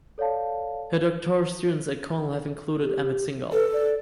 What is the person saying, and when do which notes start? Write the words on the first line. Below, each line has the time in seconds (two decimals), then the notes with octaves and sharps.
Her doctoral students at Cornell have included Amit Singhal.
0.18 A4 C#5 D5 F5 A5
2.82 G4
3.52 A4 B4
3.73 D5